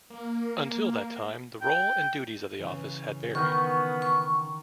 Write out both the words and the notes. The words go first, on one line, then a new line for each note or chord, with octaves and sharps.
Until that time, the role and duties of the office had varied.
A#3
G5
C#3 E3
D#3 B3 C#6
C#6